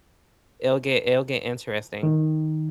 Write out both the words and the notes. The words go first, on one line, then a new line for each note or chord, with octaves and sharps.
it'll get it'll get interesting.
D#3